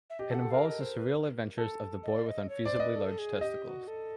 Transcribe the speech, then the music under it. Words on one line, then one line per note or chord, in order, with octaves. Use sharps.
It involves the surreal adventures of "the boy with unfeasibly large testicles".
E5
G4 D#5
A4
F#5
A4
A#4 F5
D#5
C5
B4
A4
D#5
D5
D#5
C#5
C5 D5
D5
B4 D#5
A4
G#4
G4 D#5
G4
F#4
A4